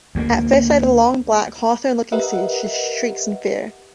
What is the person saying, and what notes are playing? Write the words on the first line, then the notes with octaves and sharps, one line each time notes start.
At first sight of the long, black Hawthorne-looking seed, she shrieks in fear.
D2 G#3 A#3
G4 A#4 B4 D#5 E5 F#5